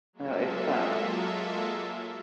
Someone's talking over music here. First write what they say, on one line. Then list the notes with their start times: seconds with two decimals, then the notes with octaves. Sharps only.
No, it's them.
0.13 F#3 G#3 A#3 F4 A4 E5